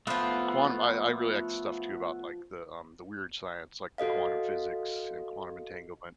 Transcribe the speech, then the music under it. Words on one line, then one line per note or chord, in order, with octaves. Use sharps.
uh uh quantum, I I really like stuff too about, like, the, um, the weird science, like, the quantum physics and quantum entanglement.
F3 A3 B3 F4 B5 D#6 F#6
F#4 A4 D#5 F5